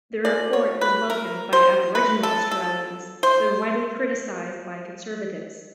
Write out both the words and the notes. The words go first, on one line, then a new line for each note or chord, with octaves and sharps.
The report was welcomed by Aboriginal Australians but widely criticised by conservatives.
B2 G#3 D5
C#5
B4
A#4
C5
B4
A4
A4
C5